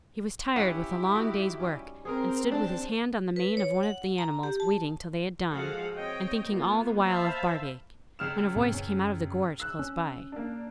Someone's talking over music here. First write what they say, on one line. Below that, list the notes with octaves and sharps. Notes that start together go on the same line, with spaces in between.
He was tired with a long day's work, and stood with his hand on the mane of one of the animals, waiting till they had done, and thinking all the while of Barbaik, when a voice came out of the gorse close by.
C#4 E4 G4 F#5
D#4 F#4
G3 C#4
C4 G#4 A#4
D4 A5
B4
C#5
F#5
A#5
G4
A5
F3 G#3 F#4 A4 F5 F#5
C4 C#5 D#5 G5
A#3 B3 F4
C5 E5 F5 A5 B5
C#2 F6 E7
A2 B3 C4
F#2 C#4
E6 F#6
C#4
A#3 D4